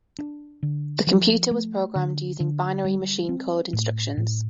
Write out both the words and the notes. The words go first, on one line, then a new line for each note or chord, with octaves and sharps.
The computer was programmed using binary machine code instructions.
D4
D3
F3
A3
D3
D3
G3
C4
A2
A2